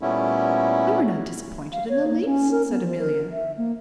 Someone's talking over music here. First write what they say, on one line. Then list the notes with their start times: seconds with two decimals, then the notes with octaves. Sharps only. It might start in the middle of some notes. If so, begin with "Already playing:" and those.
"We were not disappointed in the least," said Amelia.
0.01 A#2 G3 A3 B3 C#4 E4
1.73 F5
1.89 C#5
2.08 A#3
2.26 C#4
2.51 A#4
2.69 B3
2.82 F3
2.99 A#4
3.31 E5
3.57 A#3